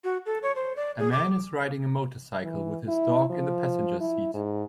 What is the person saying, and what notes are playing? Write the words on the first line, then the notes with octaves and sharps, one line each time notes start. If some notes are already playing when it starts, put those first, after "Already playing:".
A man is riding a motorcycle with his dog in the passenager seat.
F#4
A4
C#5
C5
D5
G#4
D6
E3
E4
F3
E4
G#2